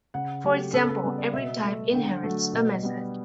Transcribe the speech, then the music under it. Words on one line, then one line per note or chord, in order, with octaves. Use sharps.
For example, every type inherits a method.
C#3 F#5
F#3 A3 G4
C#3 A4
B4
A4
G3 B3 B4
D5
B2 E5
A3
D3 G5
F#3 A3
B2
G3 B3